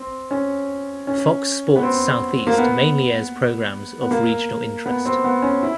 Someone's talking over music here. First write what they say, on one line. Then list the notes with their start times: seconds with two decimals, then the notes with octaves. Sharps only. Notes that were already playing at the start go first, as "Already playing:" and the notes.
Fox Sports Southeast mainly airs programs of regional interest.
Already playing: C4
0.31 C#4
1.07 C#4
1.76 B3
1.83 C4
2.47 A#3
2.58 B3
4.02 B3
4.11 A#3
4.86 B3
5.06 C4
5.24 B3
5.42 C#4
5.63 E4